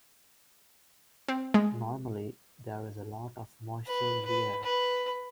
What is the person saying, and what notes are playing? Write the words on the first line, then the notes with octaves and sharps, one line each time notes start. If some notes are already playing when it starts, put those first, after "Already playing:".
Normally, there is a lot of moisture in the air.
C4
G#3
B4
B4
B4